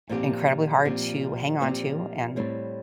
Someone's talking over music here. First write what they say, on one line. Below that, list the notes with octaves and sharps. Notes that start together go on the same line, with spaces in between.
incredibly hard to hang on to, and
A#2 F3 C4 G4
A#2 F3 C4 G4
A#2 F3 C4 G4
A2 G3 C4